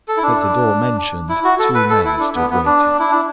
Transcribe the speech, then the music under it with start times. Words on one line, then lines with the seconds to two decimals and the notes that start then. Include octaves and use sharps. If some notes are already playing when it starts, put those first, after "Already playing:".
At the door mentioned two men stood waiting.
0.08 A4
0.17 E4
0.23 D4
1.29 E4
1.44 F#4
1.59 A4
1.75 B4
1.90 A4
2.05 E4
2.19 D4
2.35 B3
2.50 B3
2.66 D4
2.99 E4
3.10 D4